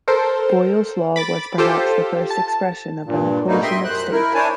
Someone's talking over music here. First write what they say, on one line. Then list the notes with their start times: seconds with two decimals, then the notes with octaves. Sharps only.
Boyle's Law was perhaps the first expression of an equation of state.
0.08 A4 A#4 C5
1.16 B5 D6 A6
1.58 F4 G4 A4 C5
2.30 A5
3.05 G2 A#2
3.48 G#2 B2 G3 A3 A#3 D#4
3.63 D#5 E5 G5 C6
3.84 F#2 C5 F#6
4.12 E4 A#4
4.35 D4 E4 C5 C#5 G#5 A5